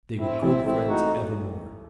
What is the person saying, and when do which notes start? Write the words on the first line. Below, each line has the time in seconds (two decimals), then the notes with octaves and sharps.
They were good friends evermore.
0.19 A2 C4 E4
0.42 A1 C4 E4
0.65 A3 C4 E4
0.88 A3 D#4 F#4